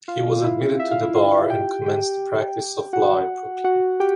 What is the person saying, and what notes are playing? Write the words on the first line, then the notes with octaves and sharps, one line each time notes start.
He was admitted to the bar and commenced the practice of law in Brooklyn.
F4 F5
E4 E5
E5
F5
E4 E5
F4 F5
G4 G5
G4 G5
F#4 F#5
F#4 F#5
G4 G5